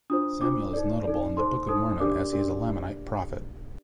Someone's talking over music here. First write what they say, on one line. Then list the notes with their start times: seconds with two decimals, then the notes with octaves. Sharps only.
Samuel is notable in the Book of Mormon as he is a Lamanite prophet.
0.10 D4 F4 C5 D#6
0.41 D4 F4 C5 D6
0.73 D#4 A4 D5
1.05 D#4 A4 D5
1.37 D#4 A4 C5 C6
1.69 D#4 A4 C5 D#6
2.00 D4 G4 A#4 D5 D6
2.32 D4 G4 A#4 D5